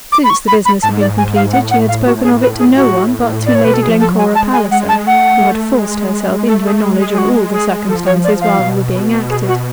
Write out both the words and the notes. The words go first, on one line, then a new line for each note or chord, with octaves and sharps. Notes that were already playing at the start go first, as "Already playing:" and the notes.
Since the business had been completed she had spoken of it to no one but to Lady Glencora Palliser, who had forced herself into a knowledge of all the circumstances while they were being acted.
D6
B5
C#6
B5
B5
G#2 A5
D5
G#5
F5
A2 F#5
F#5
F5
F#4
G#4
B4
G#4
F#4
D5
C#5
B2 B4
A4
G#4
F3
A4
F#3
G#5
G#3 A5
G#5
G#3 F#5
A5
A3 F#5
G#3
A3 A4
G#4
G#3 G#4
G#4
G#4
F#4
G#4
F3 A4
C#5
D5
F5
B2
G#4
F#4